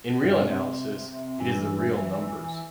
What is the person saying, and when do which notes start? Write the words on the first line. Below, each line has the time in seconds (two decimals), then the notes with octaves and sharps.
In real analysis, it is the real numbers.
0.24 G2 C3
1.40 G2 E3